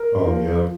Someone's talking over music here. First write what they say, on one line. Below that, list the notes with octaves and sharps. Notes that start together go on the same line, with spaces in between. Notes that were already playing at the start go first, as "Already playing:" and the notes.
Oh, yep.
Already playing: A#4
F3